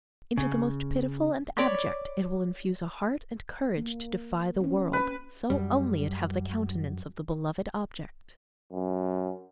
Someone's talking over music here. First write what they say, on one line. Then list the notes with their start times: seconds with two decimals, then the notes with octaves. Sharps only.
Into the most pitiful and abject it will infuse a heart and courage to defy the world, so only it have the countenance of the beloved object.
0.37 C#3
1.58 C#5 D5 B5
3.77 A#3
4.61 C4 C#4
4.93 B4
5.50 F#2 G3
8.72 F#2